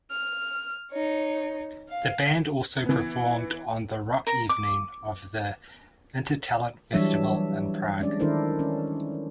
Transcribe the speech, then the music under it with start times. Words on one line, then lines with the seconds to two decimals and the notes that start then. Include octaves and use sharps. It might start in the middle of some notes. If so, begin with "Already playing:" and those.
The band also performed on the rock evening of the Intertalent Festival in Prague.
0.11 F6
0.91 D#4 C#5
1.89 F5
2.86 E3 B3
4.27 A#4
4.49 D6
6.93 E3 F#3 G3 D4 C#5 E5
8.00 G#3 C#4 D4 D5
8.20 D#3 D4 E4 A4 A#4 C5
8.59 C#4